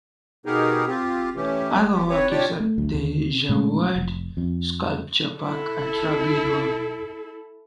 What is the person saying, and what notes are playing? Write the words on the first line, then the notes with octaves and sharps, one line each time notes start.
Other work is at the Jerwood Sculpture Park at Ragley Hall.
B2 B3 D#4 G4 G#4 A#4
C4 F4 G4
E3 A3 C#4 G4
F3 B3 G4
C4 B4 C#5
D4 F4 G4 C#5 D5 G5
A3
D2
D#2 D3
A#2 G#3 A3 C#4
F1
F2
E4 A4